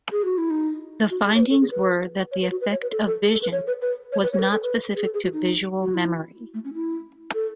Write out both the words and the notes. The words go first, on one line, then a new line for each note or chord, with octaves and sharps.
The findings were that the effect of vision was not specific to visual memory.
G#4
F#4
E4
D#4
F#4
G#4
C#5
B4
A4
G#4
B4
C#5
B4
F#4
B4
C#5
B4
A4
A4
G#4
A4
B4
C#5
B4
B4
C#5
B4
C#5
A4
B4
A4
B4
G#4
A4
G#4
F#4
D#4
F#4
E4
A3
C#4
E4
A4